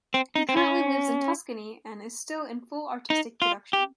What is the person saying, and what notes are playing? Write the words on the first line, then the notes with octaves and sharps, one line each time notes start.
He currently lives in Tuscany and is still in full artistic production.
C4
D#4
C4
C#4
D#4
F4
G4